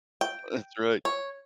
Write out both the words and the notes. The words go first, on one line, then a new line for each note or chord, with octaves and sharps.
That's right.
G5
C#5